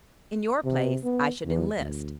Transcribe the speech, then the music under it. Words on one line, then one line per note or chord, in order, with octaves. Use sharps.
In your place, I should enlist.
C3
B3
E2
D2